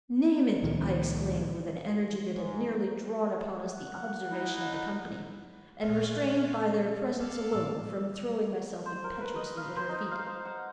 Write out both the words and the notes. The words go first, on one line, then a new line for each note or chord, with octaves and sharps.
"Name it!" I exclaimed with an energy that had nearly drawn upon us the observation of the company, and restrained by their presence alone from throwing myself impetuously at her feet.
C#2 A#2 D#3 F3
G#2
F#5
D#4 E4
A#2 D3 C#4 D4 F4 E5
C#3 A4 D5 F5
A2 E6
C5
A#4
B4
D#5
F5
C5
D#4
F5
C5
F#5